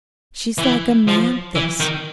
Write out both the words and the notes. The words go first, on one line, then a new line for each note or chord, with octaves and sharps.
She's like Amanthis!
E3
F3
E3
D#3